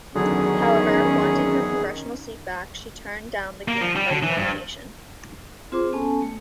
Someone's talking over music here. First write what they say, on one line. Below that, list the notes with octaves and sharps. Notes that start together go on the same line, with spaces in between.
However, wanting her congressional seat back, she turned down the Green Party nomination.
E2 D3 D#3 F#3 C#4 G#4
A#3
F3
G3
D3
E3
G2
C4 F4 G#4 C5 C6 D6
B3 C#4 A4 G#5 A5
A3